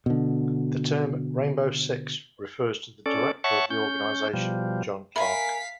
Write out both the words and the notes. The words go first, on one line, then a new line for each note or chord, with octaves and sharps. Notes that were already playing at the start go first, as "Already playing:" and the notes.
The term "Rainbow Six" refers to the director of the organization, John Clark.
B2 D3
C#4 A4 D5
C#5 E5 F#5 A5 C#6
C#4 G6
B2 F3 G3
A#4 E5 F5 G#5 B5 B6